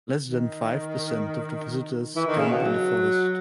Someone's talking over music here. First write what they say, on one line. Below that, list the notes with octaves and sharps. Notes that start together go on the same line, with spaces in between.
Less than five percent of the visitors camp in the forest.
D#3
E3
D#3
C#3
B2
F#3